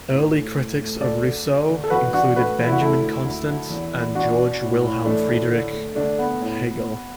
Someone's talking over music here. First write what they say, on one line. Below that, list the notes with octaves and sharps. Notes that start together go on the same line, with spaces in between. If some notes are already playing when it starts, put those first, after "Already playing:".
Early critics of Rousseau included Benjamin Constant and Georg Wilhelm Friedrich Hegel.
A2
A3
A2
A3
D2 A4 D5
A3
D2
D3
A4
E2 F#4 B4
E2 D4 F#4
A3 F#4 B4
E2
E4
F#4
A3 E4 A4
D2
D2
D2
E2
E2
E2 D4 F#4
B2
A2
A2
E3 A3 D4
A2
D3
A3
D3 A3 D4
A3 B3
A2